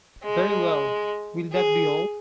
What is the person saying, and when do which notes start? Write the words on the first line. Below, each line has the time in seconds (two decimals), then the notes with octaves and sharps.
Very well, will that be all?
0.24 G#3
1.52 G#4